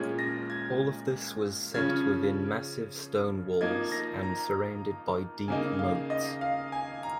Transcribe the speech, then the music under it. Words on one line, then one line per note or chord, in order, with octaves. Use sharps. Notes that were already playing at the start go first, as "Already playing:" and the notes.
All of this was set within massive stone walls and surrounded by deep moats.
Already playing: A#2 F3 G#3 C#4 G#6
A#6
G#6
C#3 F3 C#4 G#6
F3 A#3 D#4 G#6
A#6
A#5
C#3 A#3 D#4 G#5
F5
D#5
F5
G#5
A#5